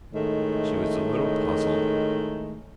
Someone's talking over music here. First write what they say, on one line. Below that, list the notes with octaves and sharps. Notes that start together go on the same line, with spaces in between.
She was a little puzzled.
A2 D#3 G#3 A3